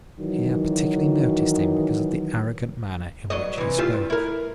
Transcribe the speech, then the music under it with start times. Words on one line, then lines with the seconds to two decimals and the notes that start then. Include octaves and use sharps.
He had particularly noticed him because of the arrogant manner in which he spoke.
0.19 D#3 E3 F#3
3.30 G2 F#3 D#5
3.58 C3 E3
3.78 F4 G4 E5
3.93 G2
4.10 E4 A#4